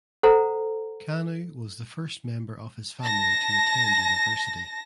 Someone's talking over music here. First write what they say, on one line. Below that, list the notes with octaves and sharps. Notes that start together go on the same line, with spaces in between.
Kanu was the first member of his family to attend university.
A4 C5 F#5 A#5
A5 A#6